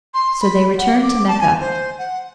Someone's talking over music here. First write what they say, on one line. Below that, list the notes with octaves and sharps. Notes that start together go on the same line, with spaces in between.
So they returned to Mecca.
C6
B5
F#5
D6
A5
G#5
C5
F#5